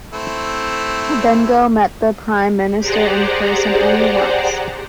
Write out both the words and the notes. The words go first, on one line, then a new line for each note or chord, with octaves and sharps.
Bengough met the prime minister in person only once.
A3 C4 E4
G4 G#4 C5 D5 F#5 A#5